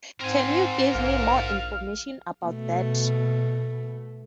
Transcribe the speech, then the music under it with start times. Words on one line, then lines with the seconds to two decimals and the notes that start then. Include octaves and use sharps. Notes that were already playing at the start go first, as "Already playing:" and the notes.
Can you give me more information about that?
0.21 G#2 C4 A#4 G#5
0.95 A#1 F5
2.46 B2 A3